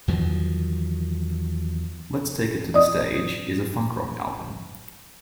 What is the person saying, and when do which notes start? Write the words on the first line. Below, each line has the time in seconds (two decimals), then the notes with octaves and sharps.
"Let's Take It to the Stage" is a funk rock album.
0.08 E2 D#3 F3 F#3
2.74 D5 D#5 D#6